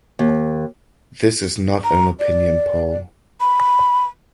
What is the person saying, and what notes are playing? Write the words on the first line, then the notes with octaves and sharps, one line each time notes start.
This is not an opinion poll.
D#2
A#5
D5
B5